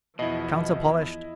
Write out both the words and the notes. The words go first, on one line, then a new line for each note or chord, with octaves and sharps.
Counter polished.
E2 B2 F3 E4 D#5